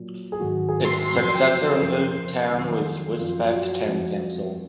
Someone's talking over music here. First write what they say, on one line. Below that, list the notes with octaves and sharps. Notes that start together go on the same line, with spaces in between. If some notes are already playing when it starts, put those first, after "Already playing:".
Its successor in the town was Wisbech Town Council.
Already playing: A#2 F#3
G#4
G#2 D#3 F#3 F#4
G#4
F#4
F2 C#3 F#3
F2 C#3 F3 A#4
F2 D#3 F#3
F#2 F3 F4
F4
F#4
F2 F3